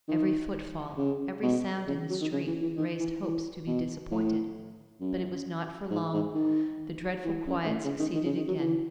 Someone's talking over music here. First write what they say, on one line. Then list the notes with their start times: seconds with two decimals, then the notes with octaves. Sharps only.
Every footfall, every sound in the street, raised hopes to be disappointed; but it was not for long, the dreadful quiet succeeded again.
0.08 D#3
0.98 C#3
1.42 B2
1.87 C#3
2.10 F#3
2.21 D#3
2.33 C#3
2.47 E3
2.62 E3
2.77 D#3
2.99 E3
3.22 E3
3.67 B2
4.11 A2
5.01 F#2
5.91 G#2
6.13 G#2
6.35 D#3
7.25 E3
7.47 F#2
7.65 G#2
7.69 A2
7.84 C#3
7.99 D#3
8.14 D#3
8.25 C#3
8.36 D#3
8.48 F#3
8.59 E3